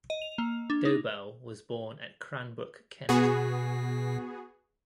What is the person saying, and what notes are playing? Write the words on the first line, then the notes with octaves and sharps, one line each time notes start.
Dobell was born at Cranbrook, Kent.
D#5
F7
A#3
D4
D#4
B2 B3 F#4 G#4